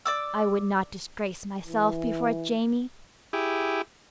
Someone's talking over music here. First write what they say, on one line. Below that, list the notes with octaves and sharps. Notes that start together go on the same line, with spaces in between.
I would not disgrace myself before Jamie.
D5 D6 E6
E3
E4 G4 G#4